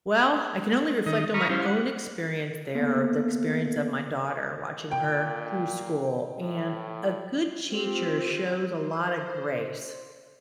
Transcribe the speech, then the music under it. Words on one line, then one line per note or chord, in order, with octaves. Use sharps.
Well, I can only reflect on my own experience there or the experience of my daughter watching her through school, and a good teacher shows a lot of grace
D#3 D#5
A#5 B5 C#6 D#6 F6
G3 C#4 E4 C5 F5
F#5
A#3 B3 A4
A#2 G5
A2
C4 F4 G4
C5